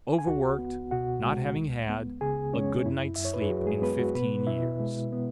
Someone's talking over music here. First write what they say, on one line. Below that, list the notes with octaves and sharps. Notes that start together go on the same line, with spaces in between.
Overworked, not having had "a good night's sleep in fifteen years!"
G#5
C#2 F#4 F#5
B3
B2 F#4 F#5
G#3
C#2
B3
C#3 G#4 G#5
G#3 C#4 C#5
F#2 E4
F#2 E5
C#5
B4
G#4
F#3 F#4
G#3 G#4
B3 B4
F#4
B2 B3 B4
B2 E4 E5
G#3
B3